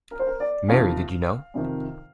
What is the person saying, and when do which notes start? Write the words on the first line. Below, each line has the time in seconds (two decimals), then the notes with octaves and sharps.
Mary, Did You Know?
0.11 A#4
0.19 C5
0.27 A#4
0.40 D5
0.68 F2 C3 D#3 F5
1.54 F2 C3 D#3